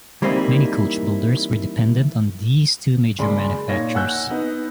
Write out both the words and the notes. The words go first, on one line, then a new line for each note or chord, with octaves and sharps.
Many coach builders were dependent on these two major manufacturers.
E3 G3 A#3 C4 D#4 E4
F#1 G#3 D5 B5 C6
A#2 D#4 C#5 A#6
F#5 G#5 E6 F#6 G6
B3 D#4